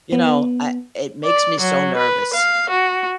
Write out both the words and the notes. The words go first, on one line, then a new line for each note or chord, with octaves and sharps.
you know, I it makes me so nervous.
B3
D5
F#3
B4
F5
F#4